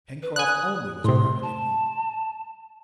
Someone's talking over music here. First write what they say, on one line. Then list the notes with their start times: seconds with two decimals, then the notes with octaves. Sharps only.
Pencroft only was prouder than he!
0.22 B4
0.36 G#5 D#6 F#6
1.04 A2 C3 C6
1.42 A5